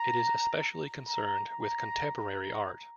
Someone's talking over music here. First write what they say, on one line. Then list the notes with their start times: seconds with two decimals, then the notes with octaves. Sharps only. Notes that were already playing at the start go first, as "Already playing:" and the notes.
It is especially concerned with contemporary art.
Already playing: A#5
1.07 A#5
1.61 A#5
2.16 A#5